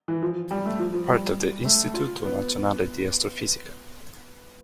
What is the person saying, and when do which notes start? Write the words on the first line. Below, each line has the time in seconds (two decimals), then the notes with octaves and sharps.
Part of the Istituto Nazionale di Astrofisica.
0.08 E3
0.22 F3
0.51 G3
0.65 A3
0.79 F3
0.94 F3
1.08 G3
1.65 A3
1.94 F4
2.24 B3